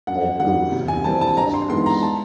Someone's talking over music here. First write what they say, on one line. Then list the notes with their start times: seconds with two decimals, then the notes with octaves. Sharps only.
All proved to be imposters.
0.07 F#2 F#5
0.40 D#3 G3 F#5
0.72 C3
0.88 G#5
1.04 E3 G3 C4 A5
1.21 A5
1.37 G2 A#5
1.54 C6
1.69 E3 G#3 B3 D#4 C6
1.86 A#5
2.02 A5